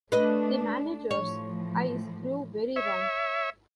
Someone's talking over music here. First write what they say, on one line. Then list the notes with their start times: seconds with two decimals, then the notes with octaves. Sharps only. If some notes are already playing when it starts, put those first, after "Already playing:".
The manager's eyes grew very round.
0.12 A3 D4 B4 D#5
1.11 A2 E3 F3 C#5
2.76 C#5 E5